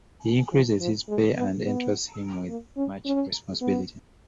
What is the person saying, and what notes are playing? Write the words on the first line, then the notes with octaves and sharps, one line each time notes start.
He increases his pay and entrusts him with much responsibility.
F3
F3
G#3
B3
B3
A#3
C#4
C#4
B3